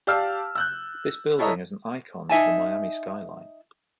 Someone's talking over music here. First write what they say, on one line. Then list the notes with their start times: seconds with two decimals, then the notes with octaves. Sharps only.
This building is an icon to the Miami skyline.
0.07 G4 D5 F5 A5 E6 F6
0.55 E6 F#6 G6
1.39 E4 A4 C#5 D#5 E5 A#5
2.29 D#4 E5 G#5 A5